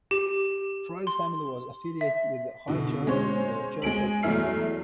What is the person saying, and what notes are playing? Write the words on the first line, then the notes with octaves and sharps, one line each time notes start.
Fry's family was affiliated with the "High Church" in the Church of England.
G4
C6
E5
B2 D3
G#3 C#4 C5 C#5
G#3 G#4 D7 F#7
E2 F#3 A3 E4 F6 C7